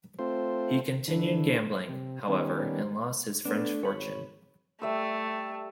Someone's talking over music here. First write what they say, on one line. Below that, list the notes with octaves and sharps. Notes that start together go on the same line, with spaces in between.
He continued gambling, however, and lost his French fortune.
A3 C4 F4 C5
D3 E3
C3
D#3 G3 B3 C#4
A3 B3 D4
G#1 C#5 B5
G3 A3 E5 E6